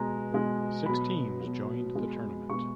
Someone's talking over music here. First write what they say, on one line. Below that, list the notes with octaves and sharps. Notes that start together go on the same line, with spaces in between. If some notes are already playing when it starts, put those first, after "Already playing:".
Six teams joined the tournament.
Already playing: B2 G#3 A#5
B2 G#3
B2 F#3 B5
B2 F#3
B2 G#3
B2 G#3 C#6